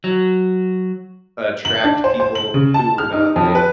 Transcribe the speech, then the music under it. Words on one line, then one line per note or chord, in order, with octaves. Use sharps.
attract people who were not, like,
F#3
F#7
D4
C5
C5
F#7
C#3
A5
F6
D#4
F2
B4